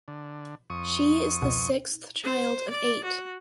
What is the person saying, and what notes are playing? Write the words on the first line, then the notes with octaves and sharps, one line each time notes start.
She is the sixth child of eight.
D3
F2 C#6 D#6
C#2 B2
C5
D5
F#4